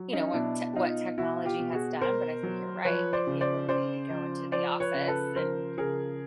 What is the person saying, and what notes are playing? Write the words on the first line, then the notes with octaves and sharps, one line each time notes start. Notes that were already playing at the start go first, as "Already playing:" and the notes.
you know, what te what technology has done, but I think you're right, like, the ability to go into the office and
Already playing: F#3
C#4 D#4
B2 D4 E4
B2 D#4 F4
B2 E4 F#4
F4 G4
B2
F#4 G#4
B2 A#4 C5
F#3
F3 B4 C#5
C5 D5
C#3
C5 D5
C#3 C5 D5
F3
F3 C5 D5
B4 C#5
C#3
A4 B4
F3 A#4 C5
C#3 G#4 A#4